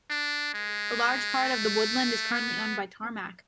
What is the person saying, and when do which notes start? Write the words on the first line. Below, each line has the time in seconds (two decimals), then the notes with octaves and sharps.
A large part of the woodland is currently owned by Tarmac.
0.10 D4
0.54 G#3
1.43 A3
2.32 B3